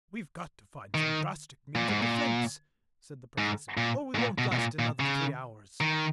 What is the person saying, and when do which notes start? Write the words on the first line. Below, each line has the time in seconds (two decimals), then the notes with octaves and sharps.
"We've got to find some drastic means of defence," said the Professor, "or we won't last another three hours."
0.95 D#3
1.75 A#2
1.89 G#2
2.02 A#2
3.38 G#2
3.77 A#2
4.15 G#2
4.19 A#2
4.38 B2
4.52 B2
4.58 A#2
4.79 A#2
5.00 C#3
5.81 D#3